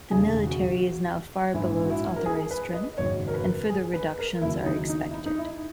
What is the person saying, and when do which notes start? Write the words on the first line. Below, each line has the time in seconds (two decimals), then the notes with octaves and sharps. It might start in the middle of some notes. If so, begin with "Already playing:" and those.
The military is now far below its authorized strength, and further reductions are expected.
0.11 E1 D#2 C#3 G#4
0.47 F#4
1.54 A#1 G#2 E3 E4
1.85 F#4
1.90 E4
2.16 A#4
2.26 G#4
2.51 B4
2.74 D#5
2.98 G#1 F#2 C#3 F#3 C#5
3.28 A#4
3.34 B4
3.70 G#4
3.94 B4
4.19 A#4
4.42 D#2 E4
4.45 C#3 F#3
4.66 D#4
4.89 D#4
5.10 E4
5.14 D#4
5.26 D#4
5.38 E4